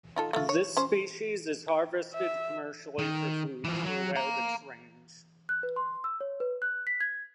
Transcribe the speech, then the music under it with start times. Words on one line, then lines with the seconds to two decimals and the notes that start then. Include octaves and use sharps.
This species is harvested commercially for food throughout its range.
0.16 D#4 F4 A4
0.33 A3 F4
0.49 C#5
0.77 C#4 C5
2.14 E5
2.99 D#3
3.64 E3 F3
3.85 F#3
4.16 F5 A#5
5.49 F#6
5.63 B4
5.76 C6
6.04 E6
6.21 C#5
6.40 B4
6.62 F#6
6.87 B6
7.01 G#6